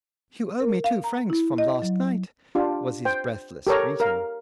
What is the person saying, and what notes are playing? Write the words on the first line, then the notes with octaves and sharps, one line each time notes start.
"You owe me two francs from last night," was his breathless greeting.
A#4
F5
A#5
E4
D#5
F#3
D4 F4 G4
C5 G5
G4 A4 A#4 C#5 A#5
A#4 F5